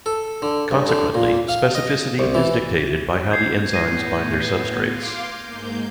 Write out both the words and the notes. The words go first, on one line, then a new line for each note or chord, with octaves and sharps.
Consequently, specificity is dictated by how the enzymes bind their substrates.
A4
D3
G2
D3
A#2
F5
D#5
C2
E3
G6 G#6 C7
A2 B3 A#6 D#7
F5 C6 D6
G#2 A#3 G6